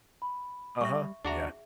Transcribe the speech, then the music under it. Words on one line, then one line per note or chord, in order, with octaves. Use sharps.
Uh-huh. Yeah.
B5
G3 E5 C#6
D#2 D4 F#4 G#4 E5 A#5